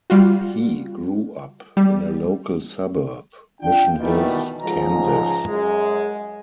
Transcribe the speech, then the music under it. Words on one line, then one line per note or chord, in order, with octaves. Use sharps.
He grew up in a local suburb, Mission Hills, Kansas.
G3 F4 F#4
G3
D4 F4 G5
B2 D#3 E3 G3 A3
C#2 G#2 F3 A#5
F#2 G#3